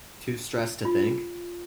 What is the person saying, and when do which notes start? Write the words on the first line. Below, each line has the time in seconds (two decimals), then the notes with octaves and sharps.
Too Stressed to Think?
0.85 F4